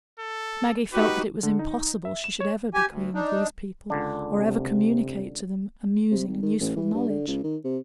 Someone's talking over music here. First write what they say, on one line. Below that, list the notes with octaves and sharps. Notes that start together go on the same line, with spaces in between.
Maggie felt that it was impossible she should ever be queen of these people, or ever communicate to them amusing and useful knowledge.
A4
D#4 F#4 G4 B4
D3
D#4
E5
E7
C#5
G4 G#5
D2
D4 D#4
C#2 D3 D4
C3
C3
G#1
D#3
A1
E3
G2
D3
C#2
D#3
C3